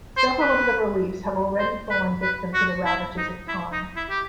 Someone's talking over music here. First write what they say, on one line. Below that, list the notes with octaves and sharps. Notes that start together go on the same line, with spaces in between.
Several of the reliefs have already fallen victim to the ravages of time.
C5
B4
C5
B4
B4
F#4
E4
D#4
E4
D#4
E4
G4